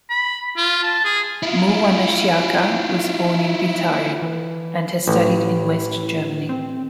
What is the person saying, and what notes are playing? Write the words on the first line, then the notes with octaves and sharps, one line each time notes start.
Murwanashyaka was born in Butare and has studied in West Germany.
B5
F4
A5
G#4
E4 F4
E3
A1 E4
C4